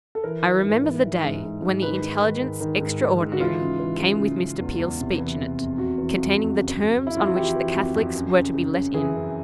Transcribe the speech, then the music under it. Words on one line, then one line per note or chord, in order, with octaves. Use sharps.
I remember the day when the Intelligence Extraordinary came with Mr. Peel's speech in it, containing the terms on which the Catholics were to be let in!
A4
E3 A#4
E3
G#2
E3
E3
G#2
G#2
G#2
D#3 B4
G#2
D#3
G#2
D#3
G#2
G#2
G#2
F#4
E3 F4
C#3
E3
C#3
C#3
C#3
E2
E2
C3
E3
C3
F2
C3 F#4
E3
F2
F2
C#3
F2
F2
E4
F2 F4
F#4
E3 G4
E3
F2
F2
F#2
C#3
C#3
C#3
E3 G#4
F#2